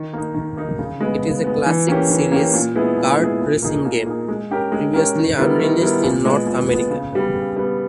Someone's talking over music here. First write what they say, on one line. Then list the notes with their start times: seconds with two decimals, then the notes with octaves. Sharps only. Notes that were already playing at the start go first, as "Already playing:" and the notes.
It is a classic series kart-racing game previously unreleased in North America.
Already playing: D#3
0.13 A#3 D#4
0.35 D#3
0.57 A#3 D#4
0.78 C#3
1.01 G#3 B3
1.23 C#3
1.44 G#3 B3
1.66 E3
1.88 A#3 C#4 G4
2.10 E3
2.32 A#3 C#4 G4
2.54 A#2
2.75 G#3 B3 E4 G#4
2.97 A#2
3.19 G#3 B3 E4 G#4
3.41 A#2
3.62 A#3 D#4 G#4
3.85 A#2
4.06 A#3 D#4 G#4
4.28 G#3
4.51 C#4 G4 A#4
4.72 G#3
4.93 C#4 G4 A#4
5.15 D#3
5.38 G3 B3 E4 A#4
5.59 D#3
5.82 G3 B3 E4 A#4
6.03 A#2
6.25 G#3 B3
6.46 A#2
6.69 G#3 B3
6.90 C#3
7.13 G3 B3
7.35 C#3
7.56 G3 B3